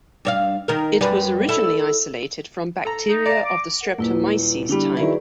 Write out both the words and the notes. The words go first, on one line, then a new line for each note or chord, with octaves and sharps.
It was originally isolated from bacteria of the "Streptomyces" type.
G2 C#5 F5
D#3 A#4
F#2 G3 B4
E4 A4
A4 A#5
D#4
D5 F5 A#5
D6
A#4 F#5
D#1 A#3 E4 B4
D3 G3 B3 D4 E4
D#3 F#3 E4 G#4 B4 D5